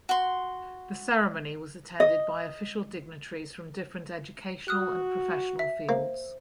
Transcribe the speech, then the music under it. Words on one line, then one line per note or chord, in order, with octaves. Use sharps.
The ceremony was attended by official dignitaries from different educational and professional fields.
F#4 C6
D#5
F#4 D#6 F6 F#6
E5
A#3 C5